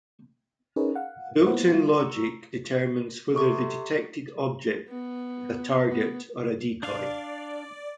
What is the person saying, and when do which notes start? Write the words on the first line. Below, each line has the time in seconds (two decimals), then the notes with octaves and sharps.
The built-in logic determines whether the detected object is a target or a decoy.
0.76 C#4 D#4 G#4 A#4 B4 C#5
0.95 F5 F#5
1.46 A#3 B3 E4 B4 C5 F#5
1.72 G3 E4 F4
1.99 A#5 C#6 E6
3.35 C3 A4 C#6 D6
4.88 B3
5.87 B3
6.83 D4 D5 F5